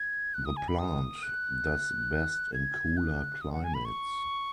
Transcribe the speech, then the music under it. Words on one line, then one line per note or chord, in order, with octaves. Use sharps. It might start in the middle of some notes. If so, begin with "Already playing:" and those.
The plant does best in cooler climates.
Already playing: G#6
F#6
D#6
G#5
B5
D#6
F#6
G#6
F#6
D#6
F#5
G#5
B5
C#6